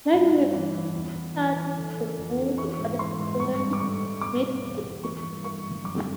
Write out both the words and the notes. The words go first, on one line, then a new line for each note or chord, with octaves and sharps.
Maxim's is featured in the Woody Allen film "Midnight in Paris".
G2 B5
G2
E3
E3
E2
E2
E3
E3
D3
D3
F2
D3
E3 C#6
G#2
E3 C6
G#2
G2 C#6
G2
D6
D3 C#6
G2
B2 D6
B2
E2
E2
E3 C#6
G2
E3 C#6
G2
F#2 D6